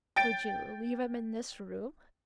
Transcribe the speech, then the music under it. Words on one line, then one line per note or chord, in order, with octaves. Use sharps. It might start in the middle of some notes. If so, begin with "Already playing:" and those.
"Would you leave him in this room?"
G5 A6 D7